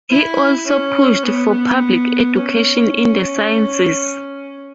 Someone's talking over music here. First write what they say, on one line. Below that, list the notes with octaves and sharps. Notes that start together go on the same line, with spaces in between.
He also pushed for public education in the sciences.
E4
C#4
B3
B3
C#4